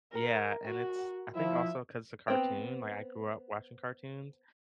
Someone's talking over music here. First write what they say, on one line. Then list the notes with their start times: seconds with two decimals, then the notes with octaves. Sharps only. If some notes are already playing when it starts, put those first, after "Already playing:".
Yeah, and it's I think also 'cause it's a cartoon, like, I grew up watching cartoons,
0.12 A#4
0.65 F#4
1.35 F3 E4 E5
2.28 B3 C4 G5